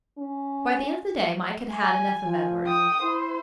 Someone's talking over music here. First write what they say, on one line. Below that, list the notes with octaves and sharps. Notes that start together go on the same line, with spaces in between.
By the end of the day Mike had had enough of Edward.
C#4
G#5
F3
G5 D#6
E4 C5